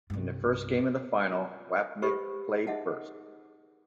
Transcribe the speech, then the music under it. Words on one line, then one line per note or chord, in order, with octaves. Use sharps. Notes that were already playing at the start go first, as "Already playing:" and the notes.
In the first game of the final, Wapnick played first.
C2 G2
F4 A#5
G4 B4 C5 B5 C#6 D#6
D#4 G#4 D#5 E5 F#5 A5